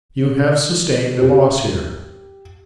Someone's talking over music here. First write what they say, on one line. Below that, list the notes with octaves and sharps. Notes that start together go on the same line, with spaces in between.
You have sustained a loss here.
G4